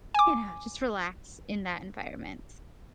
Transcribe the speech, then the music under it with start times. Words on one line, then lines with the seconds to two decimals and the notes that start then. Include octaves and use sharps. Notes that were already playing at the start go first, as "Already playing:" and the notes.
you know, just relax in that environment.
0.14 G#5 D6